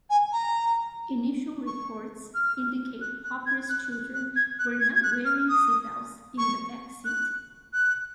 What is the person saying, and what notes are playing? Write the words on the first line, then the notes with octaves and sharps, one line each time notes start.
Initial reports indicate Popper's children were not wearing seatbelts in the backseat.
G#5
A#5
C#6
F6
F#6
F#6
G#6
F#6
F#6
F#6
G#6
F#6
G#6
G#6
F#6
F6
D#6
C#6
F#6
F#6